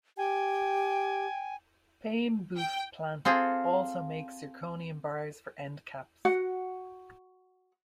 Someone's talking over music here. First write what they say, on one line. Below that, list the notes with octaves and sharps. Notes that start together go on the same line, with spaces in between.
Paimboeuf plant also makes zirconium bars for end caps.
G4 G5 G#5
G5
C4 F4 G#4 A4
F#4 F#5